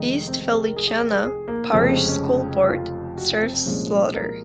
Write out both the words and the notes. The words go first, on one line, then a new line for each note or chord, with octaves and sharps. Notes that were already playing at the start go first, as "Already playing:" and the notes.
East Feliciana Parish School Board serves Slaughter.
Already playing: F1 F2 D#3 G#3 D#4
C4
C4
G#4
A#4
G#4
G#4
A#4
G#4
G#4
A#3
F1 F2 C#3 F3 G#3 A#3
C4
C#4
C#4
F4
F#4
F4
C4
C4
C2 A#2 F3 G#3 C#4
A#4